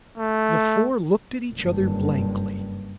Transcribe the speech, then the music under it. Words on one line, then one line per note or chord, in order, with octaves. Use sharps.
The four looked at each other blankly.
A3
F#1 G2